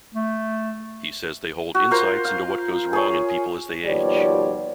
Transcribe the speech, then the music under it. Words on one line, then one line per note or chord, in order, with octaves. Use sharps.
He says they hold insights into what goes wrong in people as they age.
A3
F#4
F4 A#4 C5 C6
F5
G#4 C#5
D#2 B2 F3 G3 C#5 D5